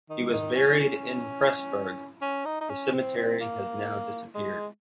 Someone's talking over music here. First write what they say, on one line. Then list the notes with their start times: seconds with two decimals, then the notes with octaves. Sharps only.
He was buried in Pressburg, the cemetery has now disappeared.
0.09 D#3
0.33 D#3
0.56 C#4
0.80 C#4
2.22 C#4
2.45 D#4
2.61 D#4
2.69 C#4
2.93 C4
3.17 C4
3.40 A#3
4.35 G#3